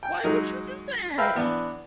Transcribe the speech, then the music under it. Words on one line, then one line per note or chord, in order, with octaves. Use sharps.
Why would you do that?"
G5
F#3 G#3 D#4
A#4 B4 E5 F5 G5 B5
E3 B3 D4